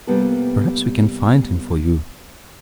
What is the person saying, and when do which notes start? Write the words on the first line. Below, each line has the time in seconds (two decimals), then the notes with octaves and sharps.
Perhaps we can find him for you.
0.07 C3 G3 A#3 B3 A4